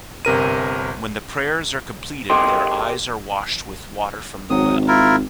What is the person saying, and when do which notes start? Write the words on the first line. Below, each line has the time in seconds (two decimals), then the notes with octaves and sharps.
When the prayers are completed their eyes are washed with water from the well.
0.25 G1 C3 A#4 D#7
2.30 G4 G#4 A#4 D#5 G5 C6
4.50 G#1 F#3 D#6
4.88 E4 F4 A#4